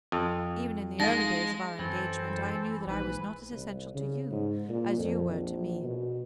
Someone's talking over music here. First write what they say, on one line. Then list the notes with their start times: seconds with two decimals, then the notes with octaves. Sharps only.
Even in the early days of our engagement I knew that I was not as essential to you as you were to me.
0.12 F2
1.00 G#3 D#4 F5 A#6
1.79 F#2 E3 C4 A4
2.87 A#1 G#2 B4
3.51 C2
3.95 C#3
4.31 G#2
4.69 A#2
4.99 F2
5.30 A#1
5.83 B2